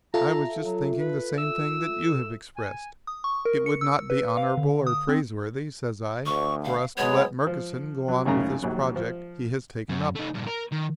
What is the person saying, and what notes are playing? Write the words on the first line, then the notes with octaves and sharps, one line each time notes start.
I was just thinking the same thing that you have expressed. It would not be honorable or praiseworthy,' says I, 'for us to let Murkison go on with this project he has taken up.
F4 A4 E5 A#5
F#3
B4
E6
G#5
D#6
C#6
A#4
C#7
E6
B4
F5
D3
D#6
C4
D2 C#6
F5
F#3 G#3 B3 C#5
F3
F#3
G#1 F#2 A2 C#3 C#4 A#5
A#1 D#2 F#3
F3
F#2
A3 D#4
G2 A#2
A#4
D#3